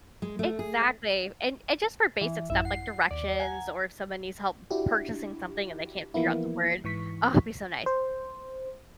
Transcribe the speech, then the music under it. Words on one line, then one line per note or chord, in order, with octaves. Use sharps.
Exactly. And and just for basic stuff, like directions or if someone needs help purchasing something and they can't figure out the word oh, it'd be so nice.
G#3
A3
G#4
E3
A1 F#2 E4 E5
F#5 C7
D#2 D5
F#5 G#5 A#5
D4 E4 F#4 G4
E3 F3 A#3 B3 E4
G#2 E3 C#6 B6
C5